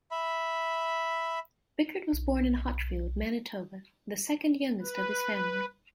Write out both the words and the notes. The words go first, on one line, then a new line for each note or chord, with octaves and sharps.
Bickert was born in Hochfeld, Manitoba, the second youngest of his family.
E5 B5
B1
B4